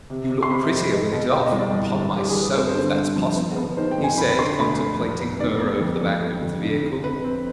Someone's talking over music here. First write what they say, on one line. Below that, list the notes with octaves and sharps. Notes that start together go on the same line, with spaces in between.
"You look prettier with it off, upon my soul, if that's possible," he said, contemplating her over the back of the vehicle.
C3
C3
C6
C3 B5
F2
G#3
B2
B2 G5
D#5
C2
D5
G1
G1
G1 G4
G#4
G1
B4
C4 C5
C5
D3
G2
F3
B3
B3
D#3 C5
G5
F2
G#5
C4 B5
B5
D3 C6
D2 B5
D2
F1
B3
D#3 D5
B3
F2
F2
F2
F2
D3
D3
C4 B4
C4